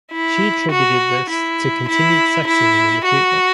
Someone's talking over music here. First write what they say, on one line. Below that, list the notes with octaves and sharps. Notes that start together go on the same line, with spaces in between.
She attributed this to continued sexism in the field.
E4
F#4
E4
E4
E4
F#4